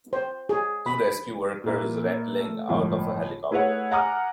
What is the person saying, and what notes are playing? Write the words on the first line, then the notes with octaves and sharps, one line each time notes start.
Two rescue workers rappelling out of a helicopter.
C5
G#4
B5
A#2 A#3 E4
A3
G1 A2 F3 G#3
A3 E4 G#4 B4 C#5 F#5
F#5 G#5 A#5 D6 D#6 F6